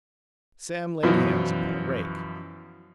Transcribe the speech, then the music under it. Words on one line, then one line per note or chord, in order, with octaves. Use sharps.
Sam laid hands upon a rake.
F#2 B2 E3 F3